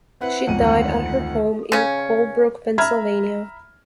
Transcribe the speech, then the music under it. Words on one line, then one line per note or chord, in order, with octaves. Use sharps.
She died at her home in Colebrook, Pennsylvania.
C4 E4 B4 F#5
B1 F2 G#2 D#7
D2 D#3
C#3 C#4
E5 A#5 B5 F6 G#6